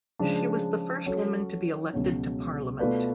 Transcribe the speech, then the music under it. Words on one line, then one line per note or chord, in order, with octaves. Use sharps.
She was the first woman to be elected to parliament.
C#3 F3 G#3 D4
F#3 C#4 F#4 A4
C#2 B2 F#3 C#4
B2 A3 F4 B4 D5